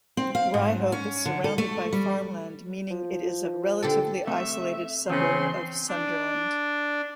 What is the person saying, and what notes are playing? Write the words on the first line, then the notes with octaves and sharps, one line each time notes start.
Ryhope is surrounded by farmland meaning it is a relatively isolated suburb of Sunderland.
C4
F5
G#2
C#4
D3
A4
A3
G3
F3
D3 G4 A4
C3 A3 E5
E2 C#3 C4 C#4 C6
D4